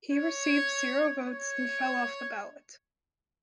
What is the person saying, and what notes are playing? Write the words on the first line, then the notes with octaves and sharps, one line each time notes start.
He received zero votes and fell off the ballot.
C#5
C#5